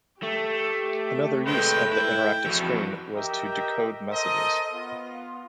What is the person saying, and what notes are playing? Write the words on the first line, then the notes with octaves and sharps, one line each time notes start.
Another use of the interactive screen was to decode messages.
A3 G4
C3 G#3 A3 B4 G5
E4 G5
F2 E3 F#4
G4 A#4 D#5 E5 G5
A4 A#4 C5 D#5
B3 F4